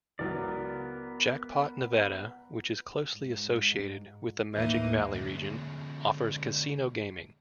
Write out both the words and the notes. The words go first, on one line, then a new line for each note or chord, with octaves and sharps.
Jackpot, Nevada, which is closely associated with the Magic Valley region, offers casino gaming.
C#2 E3 F#3 B3 A#4 D5
G#2
D#2 A2 E3 A#3 D#4
D3 G#3